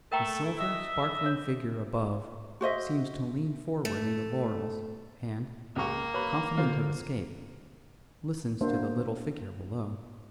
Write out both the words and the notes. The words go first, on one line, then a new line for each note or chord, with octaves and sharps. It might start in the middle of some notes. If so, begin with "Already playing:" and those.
The silver, sparkling figure above seems to lean forward in the laurels and, confident of escape, listens to the little figure below.
A3 A#4 G5 A#5
A3 E4
D#5 E5
C#5
F#4 C5 D#5 E5
A3
C#2 C#3 A#3 C#6
B4 C#5 B5
D3 F4 C5 F5
A#3 B3 D4 F#4 C5 E5